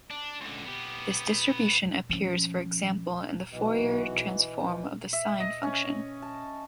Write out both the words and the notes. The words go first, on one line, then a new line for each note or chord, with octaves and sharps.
This distribution appears, for example, in the Fourier Transform of the Sign function.
D4
C#2 D3
B3 G4
F3 C#4
B1 E3 F#4 D#5
E5
D#5
C#4
A5